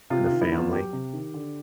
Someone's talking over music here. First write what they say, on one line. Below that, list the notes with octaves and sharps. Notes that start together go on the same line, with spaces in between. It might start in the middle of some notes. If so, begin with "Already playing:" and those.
and the family.
C3 F4
F4
D#3
E4
E2
F4
F#3 G4
C3
D#3
D3